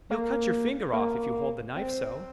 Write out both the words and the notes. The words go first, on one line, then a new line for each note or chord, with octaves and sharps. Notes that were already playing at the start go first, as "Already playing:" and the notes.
"You'll cut your finger off, if you hold the knife so!"
A#3
A#3
C4